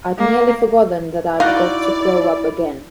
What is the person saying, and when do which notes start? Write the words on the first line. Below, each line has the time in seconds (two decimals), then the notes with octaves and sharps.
I’d nearly forgotten that I’ve got to grow up again!
0.18 A#3
1.40 D#4 E4 F#4 D5 F5